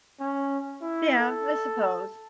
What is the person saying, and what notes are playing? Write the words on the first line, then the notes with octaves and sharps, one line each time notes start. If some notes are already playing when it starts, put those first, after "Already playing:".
Yeah, I suppose.
C#4
E4
A4